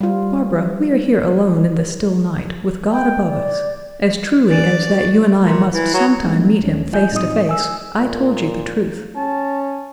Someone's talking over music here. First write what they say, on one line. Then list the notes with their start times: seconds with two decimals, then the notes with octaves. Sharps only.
Barbara, we are here alone in the still night, with God above us; as truly as that you and I must sometime meet Him face to face, I told you the truth.
0.01 G3 F4
2.91 G5
3.27 D5
4.49 E3 D5
4.88 F#4
5.43 A#2
5.74 E3
5.94 F#3
6.23 G3 G#3 A#3 C4 D#4
6.62 D#2 C#4 D4
6.92 F3 F4 D#5 G#5 G6
7.12 A2 C4 D#4 F4 D#5 D#6
7.49 G#5 E6
7.98 A#2
9.16 C#4 A5